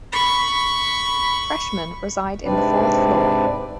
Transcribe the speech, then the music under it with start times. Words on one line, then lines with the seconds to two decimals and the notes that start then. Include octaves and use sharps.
Freshmen reside in the fourth floor.
0.13 B5 C#6
2.45 G#2 C3 C4 D4 B4 D5